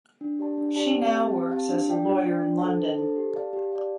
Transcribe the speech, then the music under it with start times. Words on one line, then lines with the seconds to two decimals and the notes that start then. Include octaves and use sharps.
She now works as a lawyer in London.
0.21 D4
0.39 G4 D5 A5
0.58 D4
0.76 G4 D5 A5
0.95 C4
1.13 G4 F5 A5
1.32 C4
1.50 G4 F5 A5
1.69 D4
1.87 F4 D5 G5
2.06 D4
2.24 F4 D5 G5
2.43 D4
2.61 A4 C5 A5
2.79 D4
2.98 A4 C5 A5
3.16 G4
3.34 D5 F5 A5
3.53 G4
3.72 D5 F5 A5